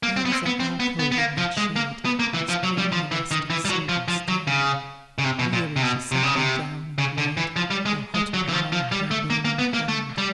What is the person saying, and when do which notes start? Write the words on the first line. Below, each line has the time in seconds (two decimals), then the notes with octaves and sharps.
There was an alcove in that shade, Screening a rustic seat and stand; Weary she sat her down, and laid Her hot brow on her burning hand.
0.03 A#3
0.17 C4
0.25 B3
0.32 C4
0.46 B3
0.60 C4
0.80 B3
0.99 B3
1.12 B3
1.18 A#3
1.38 F3
1.57 G#3
1.76 A#3
2.05 B3
2.19 A#3
2.34 E3
2.49 F3
2.63 F#3
2.78 G3
2.92 F3
3.11 E3
3.31 D#3
3.50 E3
3.65 G3
3.70 F#3
3.89 F3
4.08 F3
4.28 F#3
4.47 C#3
5.18 C#3
5.24 C3
5.39 B2
5.53 A#2
5.76 C3
5.82 B2
6.12 C3
6.23 C#3
6.36 C3
6.98 C#3
7.18 D3
7.37 E3
7.56 F3
7.71 G3
7.86 G#3
8.14 G#3
8.34 F#3
8.49 E3
8.53 F3
8.72 F3
8.92 G3
9.11 A3
9.30 A#3
9.45 A#3
9.59 B3
9.74 A#3
9.88 A3
10.18 G3